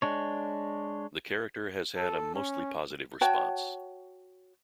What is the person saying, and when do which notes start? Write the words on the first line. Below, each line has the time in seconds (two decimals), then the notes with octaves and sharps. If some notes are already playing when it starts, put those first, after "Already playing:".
The character has had a mostly positive response.
0.02 G#3 D4 C#5
1.97 A4
2.35 C#4
3.21 F#4 C#5 G5 A5